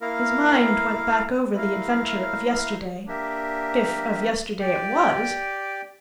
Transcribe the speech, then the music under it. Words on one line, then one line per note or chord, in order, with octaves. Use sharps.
His mind went back over the adventure of yesterday, if of yesterday it was.
A#3 E4 A#4 F5
A3 E4 A#4 F5
A#3 D4 G4 A#4 E5
G4 D5 G5